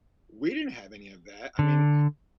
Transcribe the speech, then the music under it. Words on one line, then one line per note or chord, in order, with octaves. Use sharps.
We didn't have any of that. I mean,
D3